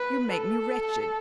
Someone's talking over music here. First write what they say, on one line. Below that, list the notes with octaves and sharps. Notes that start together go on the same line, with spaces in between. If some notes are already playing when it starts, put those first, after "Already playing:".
You make me wretched.
Already playing: B4
A4